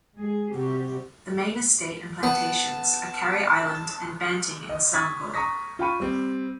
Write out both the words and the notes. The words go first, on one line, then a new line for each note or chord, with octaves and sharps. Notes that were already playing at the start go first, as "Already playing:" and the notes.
The main estate and plantations are Carey Island and Banting in Selangor.
G#3 G#4
C3 G3 F#4 G4
B3 A5
D#5
C#6 D#6 G#6 A6 B6
A#5 C#6 D#6 A#6 B6
F4 F5 G5 B5 C#6 D#7
G3 C4